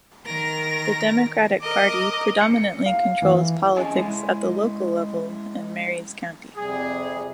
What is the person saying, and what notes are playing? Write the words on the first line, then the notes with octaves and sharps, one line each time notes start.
The Democratic Party predominantly controls politics at the local level in Maries County.
D#3 A#4 A#6
A#4 D#5 D6
C#7
F5
E3
C#4 G#4 D#5 G#5 A5
G#3 C#4 E4
F2 C3 G3 G#4